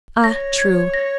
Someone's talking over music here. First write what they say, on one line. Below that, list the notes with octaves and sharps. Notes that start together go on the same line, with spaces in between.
"Ah, true."
C#5 A#6
G#6
A#6